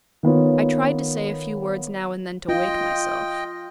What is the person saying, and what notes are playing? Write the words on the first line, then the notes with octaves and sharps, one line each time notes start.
I tried to say a few words now and then to wake myself.
D#3 B3 F4 C#5
F4 D#5 G5